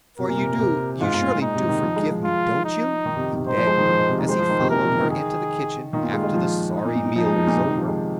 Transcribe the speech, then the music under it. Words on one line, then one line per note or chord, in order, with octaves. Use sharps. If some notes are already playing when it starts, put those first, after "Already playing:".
"For you do--you surely do forgive me, don't you?" he begged, as he followed her into the kitchen after the sorry meal was over.
C3 A#4
A#2
C3
C3
G#2 F4
G#2
A#2
D#4
C3
D#3
F3
G#3
F3
F4
D#4
D#3
C3
C3
D#3 C5
F3
G#3
D#3
F3
D#3
C3
D#3
G#3 C5
F3
D#3
C3
A#2 A#4
C3
D#3
G#4
D#3 F4
A#2
G#3
G#3
F3
D#4
A#2
A#2
A#2
F3 D#4
G#3
F3
A#2
C3
D#3
F3
G#3